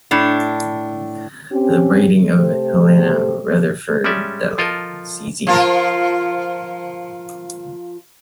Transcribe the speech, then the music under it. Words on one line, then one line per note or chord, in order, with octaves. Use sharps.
The writing of Helena Rutherfurd Ely, C. Z.
A2 D4
C4 C#4 G4
C3 A3 G4 A4 C5
G3 G#3 C#4 D5 E5
F3 F4 A4 A#4 D#5
F3 F4 A#4